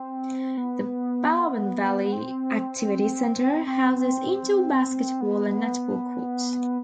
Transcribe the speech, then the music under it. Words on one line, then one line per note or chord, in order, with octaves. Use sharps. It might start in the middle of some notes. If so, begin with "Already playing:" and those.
The Barwon Valley Activity Centre houses indoor basketball and netball courts.
Already playing: C4
B3
C4
C4
B3